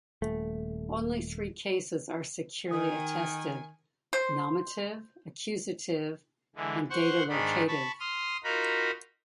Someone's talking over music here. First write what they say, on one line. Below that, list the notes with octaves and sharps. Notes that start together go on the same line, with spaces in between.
Only three cases are securely attested: nominative, accusative, and dative-locative.
D#1 A3
D#3 G#5 D#6
C5
D3 E3 G#3
C5 F#5 C6 C#6 F#6
G#2 D#3 D4 D#4 B5
A5 B5 C#6
C6 D#6 F6
D#4 F4 F#4 A#4 A#5 B5